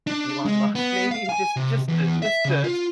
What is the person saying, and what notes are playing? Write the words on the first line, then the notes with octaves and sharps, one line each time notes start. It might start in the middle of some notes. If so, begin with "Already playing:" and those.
Elon Musk, maybe, just just to just to,
D4
G#3
B3
F5
G#5
C3
E2
E5
C#3
F4